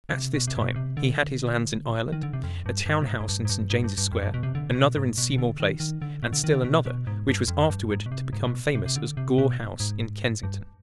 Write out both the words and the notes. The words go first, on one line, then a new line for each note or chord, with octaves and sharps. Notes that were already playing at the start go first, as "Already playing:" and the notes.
At this time he had his lands in Ireland, a town house in St. James's Square, another in Seymour Place, and still another which was afterward to become famous as Gore House, in Kensington.
D3
C3
B2
C3
G#2
B2
C3
D3
D#3
D3
C3
F2
G2
G2
B2
G#2
G#2
G2
G#2
G2
G#2
G2
G2
F2
G2
B2
C3
D3
B2
G#2
B2
D3
D#3
D#3
D3
B2
D3
D#3
D3
B2
B2
G#2
G2
F2
G2
G#2
B2
C3
G#2
B2
C3
C3
D3
C3
B2
G#2
G2